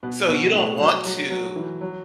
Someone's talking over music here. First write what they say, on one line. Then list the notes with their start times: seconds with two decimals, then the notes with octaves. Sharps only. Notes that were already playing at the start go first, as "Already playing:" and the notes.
so, you don't want to,
0.03 B2 B3
0.28 B2 B3
0.46 G#3
0.53 A2 A3
0.80 F#3
1.05 F#3
1.30 F#3
1.56 E3
1.81 F#3